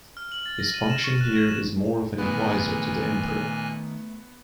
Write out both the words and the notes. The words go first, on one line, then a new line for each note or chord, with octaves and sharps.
His function here is more of an advisor to the Emperor.
F6
F#7
A6
A#6
D#7
E7
C#6
F#6
G#6
E7
A#2 D#3 A3 B3 G#5 F#6